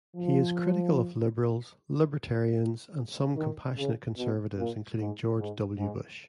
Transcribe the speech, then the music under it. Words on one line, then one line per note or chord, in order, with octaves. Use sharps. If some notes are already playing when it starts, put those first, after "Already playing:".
He is critical of liberals, libertarians, and some "compassionate conservatives", including George W. Bush.
F3
D#3
C#3
B2
A#2
G#2
G#2
G#2